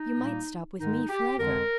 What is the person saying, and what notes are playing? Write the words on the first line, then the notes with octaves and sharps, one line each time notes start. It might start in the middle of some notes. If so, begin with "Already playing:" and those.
You might stop with me for ever.'
Already playing: D#4
A#2 G3 A#3
G#2 D#3 G#3 D#4
G4
F2 D3 G#3 A#4